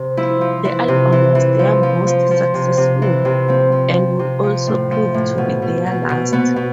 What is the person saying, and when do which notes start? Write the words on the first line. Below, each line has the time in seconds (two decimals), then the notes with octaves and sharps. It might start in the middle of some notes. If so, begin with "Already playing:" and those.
The album was their most successful, and would also prove to be their last.
Already playing: C3
0.17 F3 E4
0.41 F3
0.64 E3 E4
0.88 C3
1.12 E3
1.35 E3
1.59 F3
1.83 F3
2.07 F3
2.31 F3
2.54 C3
2.77 C3
3.02 E3
3.25 C3
3.48 F3 C4
3.72 F3
3.96 F3
4.19 C3
4.43 F3
4.67 A2
4.91 F3
5.14 A2
5.38 B2
5.62 B2
5.86 B2
6.10 B2
6.33 B2 B3
6.56 B2